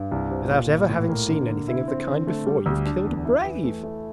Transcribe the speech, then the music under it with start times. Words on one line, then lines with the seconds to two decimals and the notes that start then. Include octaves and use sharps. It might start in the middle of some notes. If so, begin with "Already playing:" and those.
Without ever having seen anything of the kind before, you've killed a brave!'
Already playing: G2
0.11 C2
0.31 C3
0.50 A#2
0.69 A#2
0.89 A2
1.09 A#3
1.29 D3
1.48 D3
1.68 E4
1.88 C4
2.07 D3
2.27 A3
2.46 G3
2.66 D2
2.86 D4
3.05 E2
3.25 E4
3.44 E3
3.64 A3
3.83 A3